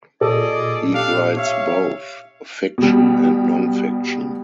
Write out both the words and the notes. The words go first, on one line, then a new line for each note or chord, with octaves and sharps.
He writes both fiction and non-fiction.
A#2 G#4 A4 D5 D#5
D4 G4 A4 F5
C#5 E5 F5
B2 G3